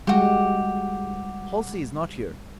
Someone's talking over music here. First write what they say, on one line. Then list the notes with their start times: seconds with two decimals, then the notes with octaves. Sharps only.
Halsey is not here.
0.07 G3 G#3 F#4 G4